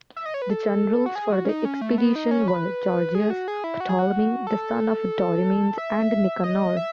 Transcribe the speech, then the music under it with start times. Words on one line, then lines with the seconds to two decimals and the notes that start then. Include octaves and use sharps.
The generals for the expedition were Gorgias, Ptolemy the son of Dorymenes, and Nicanor.
0.16 E5
0.26 D#5
0.34 C#5
0.42 B4
0.50 A4
1.06 F#4
1.15 G#4
1.32 F#4
1.45 C#4
1.49 D#4
1.65 C#4
1.81 A3
1.98 B3
2.16 D#4
2.31 C#4
2.48 B4
3.15 G#4
3.30 F#4
3.48 G#4
3.64 E4
3.80 F#4
3.89 G#4
3.99 F#4
4.47 A4
5.78 E5
6.44 D#5
6.77 E5